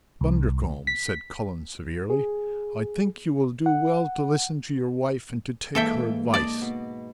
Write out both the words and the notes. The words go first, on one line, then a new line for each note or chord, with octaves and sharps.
Bundercombe," said Cullen severely, "I think you will do well to listen to your wife and to take her advice.
C2
B6
G#4
F#5
G#2 E3 A#3 A4 E5 G5
D5 D#5 A5
B2